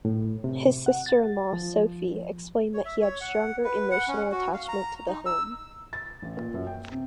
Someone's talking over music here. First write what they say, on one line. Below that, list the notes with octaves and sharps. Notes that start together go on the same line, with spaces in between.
His sister-in-law Sophie explained that he had a stronger emotional attachment to the home.
A2
C3
F#5
A6
F3
C#5
E5
C#5
F#5
B4
F#5
C#4
F#4
F5
A#5
D#4
E6
A6
A1
A#2
F#2
G5
C3